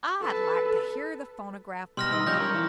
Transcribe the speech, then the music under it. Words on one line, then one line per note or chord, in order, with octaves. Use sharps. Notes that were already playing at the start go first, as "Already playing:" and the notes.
"I'd like to hear the phonograph play."
A4 B4
B2 G3 C6 F6 A#6
D#4 E6
F3 G3 C#4 G6 A#6
A#4 C#5
E3